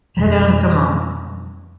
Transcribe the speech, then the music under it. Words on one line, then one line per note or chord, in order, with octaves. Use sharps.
Eller in command.
F2 B2 F3 G3